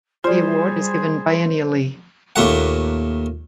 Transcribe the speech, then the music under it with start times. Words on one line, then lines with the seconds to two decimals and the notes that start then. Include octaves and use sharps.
The award is given biennially.
0.24 G3 F4 G#4 C5 D5
2.36 D#2 A#2 A3 F#5